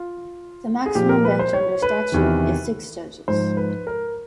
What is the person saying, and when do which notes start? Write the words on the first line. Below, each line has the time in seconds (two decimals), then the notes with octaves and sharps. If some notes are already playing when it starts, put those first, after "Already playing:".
The maximum bench under statute is six judges.
Already playing: F4
0.86 G#4
0.95 A#2 F3 G4
1.09 A#4
1.25 B4
1.39 C5
1.53 C#5
1.82 B4
2.12 E2 C3 D#3
3.28 G#2 F3 C5
3.57 B4
3.87 A#4